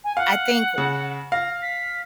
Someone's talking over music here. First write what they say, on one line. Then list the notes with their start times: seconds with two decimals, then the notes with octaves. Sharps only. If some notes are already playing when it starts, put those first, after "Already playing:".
I think
0.04 G#5
0.17 F5 F#5
0.78 C#3
1.32 F5 A#6
1.62 B6